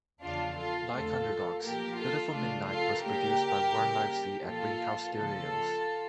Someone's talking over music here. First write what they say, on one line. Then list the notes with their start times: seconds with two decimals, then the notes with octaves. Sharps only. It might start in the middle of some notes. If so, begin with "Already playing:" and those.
Like "Underdogs", "Beautiful Midnight" was produced by Warne Livesey at Greenhouse Studios.
0.22 E2 C#3 F3 D4 F4
0.56 F4 A4
0.92 F2 D3 A3 F4 A4
1.63 A#2 F3 A#3 G4 A#4
1.97 F4 A4
2.33 C#3 F3 A3 D4 F4
2.68 F4 A4
3.03 C#3 G3 A#3 G4 A#4
3.74 C#3 G3 A#3
4.44 A#2 F3 A#3 F4 A4
5.15 C#3 F3 A#3 F4 A4